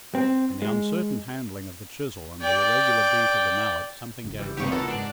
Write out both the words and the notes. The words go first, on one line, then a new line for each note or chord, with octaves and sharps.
In the uncertain handling of the chisel and the irregular beat of the mallet something gave way.
C4
G#3
D5 G5
F#1
E3 G3
C3 A#3 D#4 G4 C#5
A#2 E3 B3 A4 A#4 D#5 F#5
G#2 D4